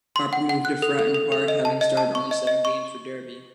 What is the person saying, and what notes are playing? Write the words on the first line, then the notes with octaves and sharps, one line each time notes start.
Harper moved to Fratton Park having started only seven games for Derby.
C6
F#5
F#5
F#6
A4
A4
A4
A4
D#5
A5
D#5
A5
C#6
D#5
D#5
C#6